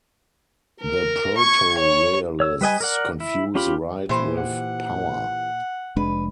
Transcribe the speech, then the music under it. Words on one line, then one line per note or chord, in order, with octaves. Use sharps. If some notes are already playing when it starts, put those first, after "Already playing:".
The proto-realists confuse right with power.
A#4
C#6 G#6
C#5
C#5 E6
G3 B4 D#5 G#5
A#4 D5 F#5
E4
C#4 F4 G4 B5
A#2 E3 G4 C5
F#5
F1 G#3 D4 B4